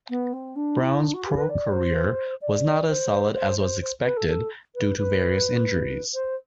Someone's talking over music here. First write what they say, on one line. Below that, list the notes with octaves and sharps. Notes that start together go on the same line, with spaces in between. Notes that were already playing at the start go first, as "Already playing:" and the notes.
Brown's pro career was not as solid as was expected due to various injuries.
B3
C4
D4
E4
D4
F#4
G4
B4
D5
C5
D5
C5
C5
C5
C5
B4
A4
A4
B4
B4
C5